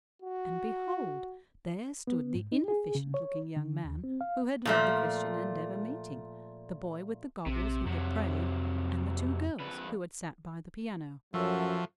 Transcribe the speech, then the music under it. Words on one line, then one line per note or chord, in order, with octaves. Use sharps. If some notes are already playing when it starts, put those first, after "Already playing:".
And behold, there stood the inefficient-looking young man who had led the Christian Endeavor meeting, the boy with the goggles who had prayed, and the two girls who had sat by the piano.
F#4
B3
G#2
D#4
G#4
C#3
C#5
D3
D#2
C4
F5
A#2 F3 A3
A#1 C3
F2 C3 F#3
F2 B4
F#2 F3 F#3 F#4 A4 E5